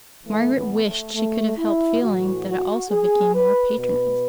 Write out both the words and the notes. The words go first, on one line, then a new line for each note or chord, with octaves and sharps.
Margaret wished she could have helped feeling that it also became more patronising.
A2 E3 A3
B3
A3
A3
E4
A2 E3 F#4
F#4
G#4
B4
B2 B4